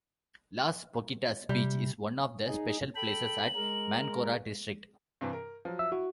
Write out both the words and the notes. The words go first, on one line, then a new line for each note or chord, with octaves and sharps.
Las Pocitas Beach is one the special places at Mancora District.
C3 G3
D#4 G#4
A4 G5 B5 F#7
G#3 A#4
G2 C3 E3
A#4
F3 F#3
E5 E6
E4 F#4